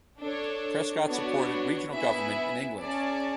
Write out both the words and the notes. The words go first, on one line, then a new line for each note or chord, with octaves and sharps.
Prescott supported regional government in England.
D4 A4 C#5
B3 D4 F#4 C#5
B3 E4 B4 E5 G#5
C#4 G#4 D5 A5